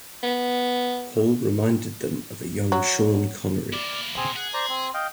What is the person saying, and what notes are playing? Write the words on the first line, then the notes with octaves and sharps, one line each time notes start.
Paul reminded them of a young Sean Connery.
B3
F#3
A#3 E4 D5
A#2 C4 G#4
G#4 F#5
C5 D5 A#5
C4
D#5 F5 G5